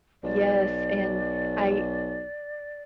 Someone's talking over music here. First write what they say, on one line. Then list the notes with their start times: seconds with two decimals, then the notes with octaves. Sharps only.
Yes, and I
0.23 B1 D5